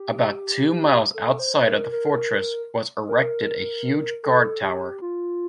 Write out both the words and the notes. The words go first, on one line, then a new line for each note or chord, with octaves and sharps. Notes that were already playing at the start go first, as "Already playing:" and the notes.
About two miles outside of the fortress was erected a huge guard tower.
Already playing: G4
A4
C5
A#4
A#4
A#4
A4
G4
F4